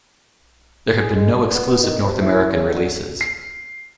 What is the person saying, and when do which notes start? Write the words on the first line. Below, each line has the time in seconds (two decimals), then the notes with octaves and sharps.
There have been no exclusive North American releases.
1.00 G#4
1.15 G#3
1.42 A#2
1.55 B3
1.83 D#3
2.03 C3
2.22 E4
2.53 C#3
2.70 D3
3.21 C7